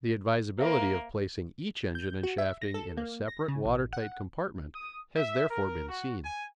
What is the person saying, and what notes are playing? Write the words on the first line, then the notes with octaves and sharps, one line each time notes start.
The advisability of placing each engine and shafting in a separate water-tight compartment has therefore been seen.
A#3 A#4 C5 E5 F5
G6
F#4
E5
A#6
A4
A#3
A#6
C#3
A1
F#5
D#6
E5
A#4
F#4
G#5